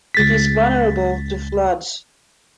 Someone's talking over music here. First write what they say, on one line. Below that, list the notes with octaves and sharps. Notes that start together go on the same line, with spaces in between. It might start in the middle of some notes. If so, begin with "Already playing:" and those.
It is vulnerable to floods.
C#2 A6 B6